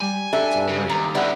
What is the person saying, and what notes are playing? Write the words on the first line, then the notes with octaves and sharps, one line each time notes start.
It's all right.
G3 G#5
D4 G4 A4 E5
C#3
D#2 A#5
D3 G3 B3 D4 E4